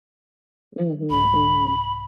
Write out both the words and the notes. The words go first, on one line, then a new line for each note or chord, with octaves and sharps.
Mhm, mhm.
C2 G#2 B5